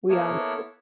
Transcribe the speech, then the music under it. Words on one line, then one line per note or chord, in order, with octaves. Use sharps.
We all need it.
A#3 B3 E4 A4 C#5